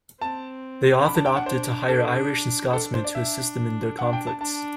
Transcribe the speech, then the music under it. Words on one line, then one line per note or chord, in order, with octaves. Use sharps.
They often opted to hire Irish- and Scotsmen to assist them in their conflicts.
C4 A5
D4 B5
A5
G5
F#5
C5
D4 A4
D4 A4
C5
D5
E5
D4 F#5
G5
A5
D4 A5